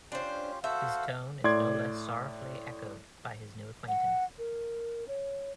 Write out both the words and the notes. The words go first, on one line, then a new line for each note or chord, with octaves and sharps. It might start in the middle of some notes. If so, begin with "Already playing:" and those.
His tone is no less sorrowfully echoed by his new acquaintance.
C#4 D4 F4 G4 C5
F#4 A4 C5 E5 F5
A2 D5 C6 D6 G#6
F#5
A#4
C#5